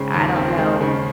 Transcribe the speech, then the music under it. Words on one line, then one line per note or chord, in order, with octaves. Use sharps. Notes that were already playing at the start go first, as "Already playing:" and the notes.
I don't know,
Already playing: C#3 G#3 C4
D#2
C4
G#3
C#3